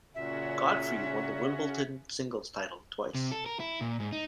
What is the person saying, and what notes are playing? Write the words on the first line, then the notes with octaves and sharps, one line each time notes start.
Godfree won the Wimbledon singles title twice.
A#2 C#3 C#4 F#4 E5
C3
A4
A#4
E4
A#2
G#2
D#4